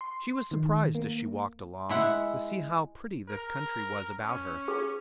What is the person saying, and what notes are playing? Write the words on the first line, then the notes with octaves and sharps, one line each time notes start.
She was surprised, as she walked along, to see how pretty the country was about her.
C6
D#3
A#3
G#3 E4 F#5 B5
A#4
C#4
G#4